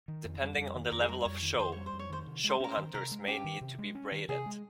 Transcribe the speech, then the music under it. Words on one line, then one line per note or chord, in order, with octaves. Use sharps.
Depending on the level of show, show hunters may need to be braided.
D#3
F2
G3
F2
D#3
F2 A#4
G#4
G3 A#4
F2 C#5
D#3
F2 C5
G3 C#5
C5
F2
C#5
D#3 C5
C3
G#3
C5
C#4 A#4
C5
D#3
C3 A#4
G#3
C#4 G4
D#3
C3
G#3
C#4
D#3
C3 G#4
G#3